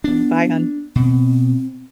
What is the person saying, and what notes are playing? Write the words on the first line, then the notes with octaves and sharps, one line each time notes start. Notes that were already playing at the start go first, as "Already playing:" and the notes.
Um, bye, hon.
B3 D4
B2 C4